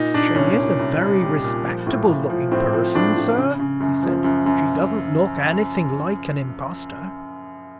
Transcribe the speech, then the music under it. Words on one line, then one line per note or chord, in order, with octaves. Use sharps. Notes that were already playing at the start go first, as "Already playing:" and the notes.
"She is a very respectable-looking person, sir," he said; "she doesn't look anything like an impostor."
Already playing: A#2 D#4
A#2 D4
C2 C#4
A#2
C2
C2
G3
A#2
F3
A2
A2
F3
A2 C4
F3
A2 D4
A2
C#3
C#3
F#2
F3
F#2
F#2